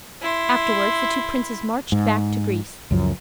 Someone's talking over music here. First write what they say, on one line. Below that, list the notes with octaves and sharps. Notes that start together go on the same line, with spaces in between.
Afterwards the two princes marched back to Greece.
E4 C6
G#2
C#2 F#2 F3